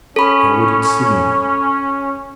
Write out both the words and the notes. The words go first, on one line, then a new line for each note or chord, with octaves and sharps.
How would it seem?
C#4 A4 B5